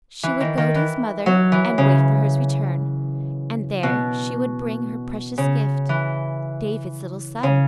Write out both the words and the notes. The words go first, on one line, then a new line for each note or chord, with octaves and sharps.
She would go to his mother and wait for his return, and there she would bring her precious gift--David's little son.
E3
D#3
D#3
E3
F#3
E3
C#3
B2
C#3
E3
C#3